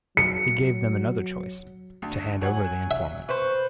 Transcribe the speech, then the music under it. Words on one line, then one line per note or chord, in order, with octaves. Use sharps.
He gave them another choice: to hand over the informant.
F#3 C#7
D2
F#3 C#5 F#5 G#5
E5
B4 C5 C#6